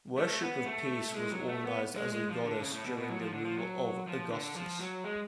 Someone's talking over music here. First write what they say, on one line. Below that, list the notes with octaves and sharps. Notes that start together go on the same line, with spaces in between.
Worship of Peace was organized as a goddess during the rule of Augustus.
A3
B3
A3
G#3
F#3
A3
B3
G#3
G#3
F3
D3
C#3
A2
B2
B2
F#3
F3
D3
F3
F#3
F3
D3
F3
F#3
G#3